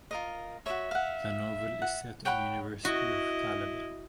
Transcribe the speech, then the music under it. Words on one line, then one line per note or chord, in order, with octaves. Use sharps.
The novel is set on University of Calabar.
F4 A#4 D#5
F#4 C#5 E5
F5 F#5
F#5
C#5 F#5 G5 B5
E4 F#4 D#5